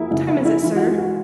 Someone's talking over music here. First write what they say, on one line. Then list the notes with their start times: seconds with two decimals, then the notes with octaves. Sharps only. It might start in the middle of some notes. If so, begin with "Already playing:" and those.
"What time is it, sir?"
Already playing: F3 A#3 E4 F#4 G#4
0.11 C#3 E4
0.28 E4
0.37 C#4
0.45 E4
0.63 E3 F4
0.76 F#4
0.80 F4
0.89 G#3
0.98 F#4